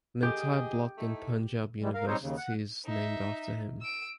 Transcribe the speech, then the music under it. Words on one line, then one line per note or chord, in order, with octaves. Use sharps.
An entire block in Panjab University is named after him.
G4 G#4 D#5
A3 D#4 E4
E3 G3 G#3
A#4 F5
G3 C4 D#4 C5 C#5
D#2 C#3
F#5
D#4 E5
E6 D7